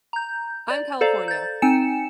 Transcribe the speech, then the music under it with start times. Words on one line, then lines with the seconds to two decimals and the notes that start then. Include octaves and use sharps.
I'm California,
0.13 A#5 G6
0.70 D5
1.01 A4 C5 D5 F5 A#5
1.28 G6 A6
1.62 C4 D#4 G5 G#5 C#7 E7